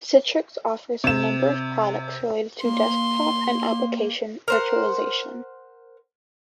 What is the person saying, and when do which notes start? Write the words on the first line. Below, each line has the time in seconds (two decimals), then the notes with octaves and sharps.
Citrix offers a number of products related to desktop and application virtualization.
1.04 C3 E7
2.65 A#3 C6
4.48 A#4 C5 F#5